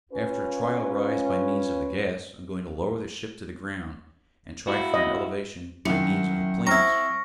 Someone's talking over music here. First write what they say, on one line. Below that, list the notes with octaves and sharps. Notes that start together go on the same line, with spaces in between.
After a trial rise by means of the gas, I'm going to lower the ship to the ground, and try for an elevation by means of the planes.
C#4 F4 B4
E4 F#4
D#5
F#2 D#3 E4 C#7
C4 E4 A#5 C#6 F6 A#6